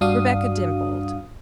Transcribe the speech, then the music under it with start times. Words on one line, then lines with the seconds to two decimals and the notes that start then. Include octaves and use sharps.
Rebecca dimpled.
0.01 G2 D4 F#4 F5 D#6